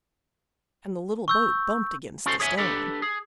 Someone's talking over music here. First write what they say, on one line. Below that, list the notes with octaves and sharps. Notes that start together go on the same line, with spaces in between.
And the little boat bumped against the stone.
C#6 E6 G6
C#4 E4 F#4 A4 C5 C6
G#4 C#5 E5 G#5
D4 G4 A4 B4
G#4